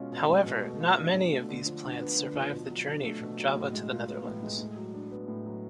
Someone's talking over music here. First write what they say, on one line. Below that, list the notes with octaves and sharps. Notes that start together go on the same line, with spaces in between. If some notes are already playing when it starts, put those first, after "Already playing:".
However, not many of these plants survived the journey from Java to the Netherlands.
Already playing: B2 G#3 C#4 F4
B2
G#3
B2
A3
F4
D4
B2
A3
D3
F3
D4
B3
D3
F3
B2
F#3
D4
A3
B2
F#3
A2
G#3
F4
B3
A2
G#3
A2
F#3
D4
B3
A2
F#3